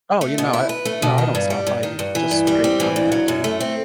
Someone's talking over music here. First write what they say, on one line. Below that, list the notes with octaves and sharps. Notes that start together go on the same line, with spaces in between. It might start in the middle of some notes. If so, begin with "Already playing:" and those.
Oh, yeah, no, I no, I don't stop, I just straight out and back, you know?
A3
B2
E4
B4
A3
B2
D#3
G2
G3
G2
D#3
G2
E3
G2
G3
C4
E3
G2
F#3
F#2
A3
C4